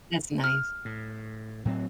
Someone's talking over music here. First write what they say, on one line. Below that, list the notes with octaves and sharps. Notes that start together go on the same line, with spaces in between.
That's nice.
F6
A2
A2 F#3 C4